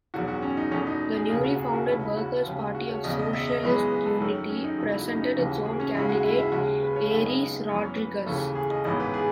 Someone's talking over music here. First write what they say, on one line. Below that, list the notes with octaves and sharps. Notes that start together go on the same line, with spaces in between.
The newly founded Workers Party of Socialist Unity presented its own candidate, Aires Rodrigues.
E1 E2 D#3 F#3 F#4
F#4
C#4
D#4
E2 B2 A3 C#4
D#4
G#4
E1 D#2 C#3 G#4
F#4
G#4
F#4
E1 D#2 C#3 E4
E4
F#4
D#2 C#3 G#3
F#4
C#5
E1 E2 C#3 D#5
D#5
E5
D#5
F#2 E3 G#3 B3
D#5
B4
A4
F#2 D#3 A3
C#4
D#4
E2 C#3 F#3 A3 D#4
E4
F#4
D#4
C#4
D#4
D#2 C#3 E3 D#4
F#4
G#4
C#4
D#2 C#3 G#3 E4
F#4
E4
E4
D#2 C#3 G#3 F#4
B4
C#5
F#1 F#2 D#3 G#3 B3 E5
D#5
F#2 E3 B3 C#5
C#5
B4
D#2 C#3 E3 A3
G#4
D#5
A1 G#2 E3 B3 D#5
B4
G#4